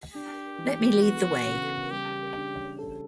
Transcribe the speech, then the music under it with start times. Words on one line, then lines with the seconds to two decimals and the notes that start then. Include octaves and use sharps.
Let me lead the way.
0.14 D4 G4
0.58 E3
1.02 B3 F#4
1.46 C#3
1.91 G3 G4
2.36 D4
2.79 A4